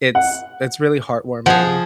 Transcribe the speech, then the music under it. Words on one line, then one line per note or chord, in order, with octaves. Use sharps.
it's it's really heartwarming.
F#5
F3 G#4 F#5